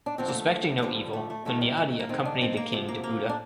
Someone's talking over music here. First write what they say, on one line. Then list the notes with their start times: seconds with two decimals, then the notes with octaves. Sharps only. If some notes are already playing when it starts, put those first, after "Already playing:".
Suspecting no evil, Hunyadi accompanied the king to Buda.
0.06 D4
0.18 D#2 D3 F3 C4
0.28 A#3
0.34 A3
0.78 A3
0.83 D#2 D3 F3 G3
1.13 A3
1.30 A3
1.45 F2 D#3 A3
1.61 G3
1.77 A3
1.99 A#3
2.09 G2 D#3 C4
2.25 D4
2.41 C4
2.57 A#3
2.72 D2 C3 F3
2.88 A#3
3.03 A#3
3.29 D4